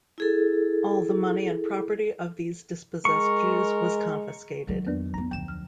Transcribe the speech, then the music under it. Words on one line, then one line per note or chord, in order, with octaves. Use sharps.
All the money and property of these dispossessed Jews was confiscated.
E4 G#4 A4
G#3 A#4 C#6
D#3 F#3 G#3
F2 A#3 B3 D4
B3 C#4 A#5
D2 F3 G5 E7
F6